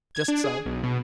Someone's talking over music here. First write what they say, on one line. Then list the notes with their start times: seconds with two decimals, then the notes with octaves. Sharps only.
"Just so."
0.15 G#6
0.28 D4
0.44 G#4
0.65 B1
0.83 B2